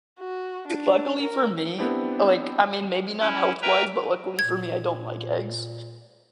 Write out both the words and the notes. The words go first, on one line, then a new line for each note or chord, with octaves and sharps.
Luckily for me, oh, like, I mean, maybe not health wise, but luckily for me, I don't like eggs.
F#4
D4
A#4
B3 C4 D4 E4 G4
C#4 E4
A#4 B4 E5 G5 A#5
A#2 G#6